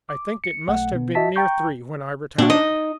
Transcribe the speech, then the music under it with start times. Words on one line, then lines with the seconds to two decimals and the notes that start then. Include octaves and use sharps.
I think it must have been near three when I retired.
0.09 D6
0.44 C#7
0.68 B1 A3 F#5
0.92 B2 B3
1.15 F#4 D#5 E5 A5 B6
1.36 G5 A#5 C#6 G6
2.38 A#2 D4 F#4
2.50 D#4 D#5